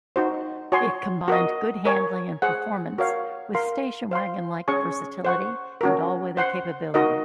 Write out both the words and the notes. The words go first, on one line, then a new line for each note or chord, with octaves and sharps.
It combined good handling and performance with station wagon-like versatility and all-weather capability.
D#4 F#4 C5
F#4 C#5 G#5 C6
F#4 A#4 D#5
A#4 C#5 G#5
G#4 C5 F#5
F#4 A#4 C#5 F5
A#4 F5 C6
C5 F5 C6
C#4 G#4 C#5 G#5 C#6
C5 F#5 C#6
C#4 F#4 A#4
C5 F#5 C6
D#4 F#4 A#4 D#5